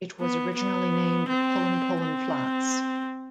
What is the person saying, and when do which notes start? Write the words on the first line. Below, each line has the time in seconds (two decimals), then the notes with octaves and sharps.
It was originally named Pullen Pullen Flats.
0.20 B3
0.56 B3
1.28 C4
2.01 C4